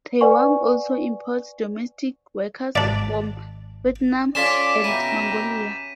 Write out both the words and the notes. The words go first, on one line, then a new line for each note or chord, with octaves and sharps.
Taiwan also imports domestic workers from Vietnam and Mongolia.
B4 C5 D5 F#5 G#5 C#6
G#1 D4 D5
C#4 F4 A4 D5 C6 B6 E7
B2 E4 G4 A#5 D#7